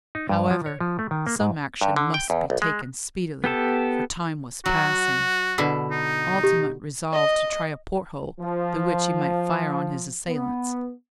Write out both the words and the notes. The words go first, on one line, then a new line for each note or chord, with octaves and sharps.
However, some action must be taken speedily, for time was passing. Altamont resolved to try a port-hole through which he might fire on his assailants.
D#4
G2
F3
C#5
F3
A3
D#3
A#3
G#2
G2
D3
G5
E2
B1
G#3
B3 G4 A4 A5
F#3 F#4
B2 D3 E4
D#4
G4
D#5
F3
B3